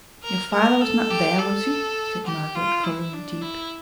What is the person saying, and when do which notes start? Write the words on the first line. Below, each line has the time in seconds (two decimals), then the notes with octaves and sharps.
'Your father was not there, was he?' said Margaret, colouring deep.
0.23 A#4
0.52 A#4
0.81 A4
1.10 G4
1.39 A4
2.26 G4
2.55 F4
2.84 E4
3.13 D4
3.42 E4